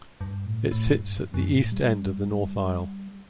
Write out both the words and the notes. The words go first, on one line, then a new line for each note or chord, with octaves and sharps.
It sits at the east end of the north aisle.
G2
A2
A2
G2
F#2
A2
G3